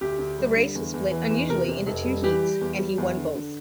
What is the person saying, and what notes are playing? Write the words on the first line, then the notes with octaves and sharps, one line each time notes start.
The race was split unusually into two heats, and he won both.
D2 G4
D2
G3
D3
E2
E2
E3
E2
C3 A#4
C3
F1
G3
E3 G4
G3
E2
G3
E2
D3
D3